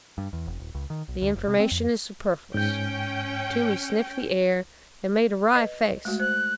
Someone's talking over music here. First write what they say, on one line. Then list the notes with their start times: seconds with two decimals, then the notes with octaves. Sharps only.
"The information is superfluous." Toomey sniffed the air and made a wry face.
0.18 G2
0.33 E2
0.47 F1
0.60 D#1
0.75 C#2
0.90 D#3
1.08 B1
1.22 D2
1.35 F#1
1.48 C3
1.60 C4
1.71 F2
2.54 G#2 C#4 G5 G6
5.55 B4 D#5
6.05 G#3 A3 F#4
6.20 C5 F#6